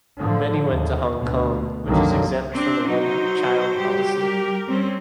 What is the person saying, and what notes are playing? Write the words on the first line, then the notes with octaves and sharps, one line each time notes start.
Many went to Hong Kong, which is exempt from the one-child policy.
A2 D3 F3
D#2
D2 B2
C2 F#2 D3 D#3 F#3 A#3
C4 D4
F#3 D#4 C5
G3 G4
A#4
G3 C4 C#4